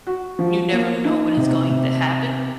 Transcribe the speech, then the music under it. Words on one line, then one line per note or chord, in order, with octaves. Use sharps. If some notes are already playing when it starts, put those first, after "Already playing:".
you never know when it's going to happen,
F#4
F3
A#3
D#4
C3
C3